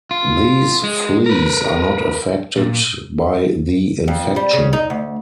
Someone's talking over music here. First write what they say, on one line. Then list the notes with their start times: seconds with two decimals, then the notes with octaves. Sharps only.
These fleas are not affected by the infection.
0.11 F4
0.84 G#3
1.26 A#4 B4
2.58 A#2
4.08 F2
4.36 G3
4.53 C#3
4.73 D#4
4.90 D2